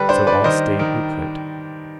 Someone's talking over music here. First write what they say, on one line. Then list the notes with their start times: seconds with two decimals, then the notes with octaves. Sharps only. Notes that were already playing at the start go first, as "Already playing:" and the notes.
So all stayed who could.
Already playing: D3 G3 B4
0.09 D4 C5
0.27 B4 D5
0.44 D#3 C5 D#5
0.79 D#3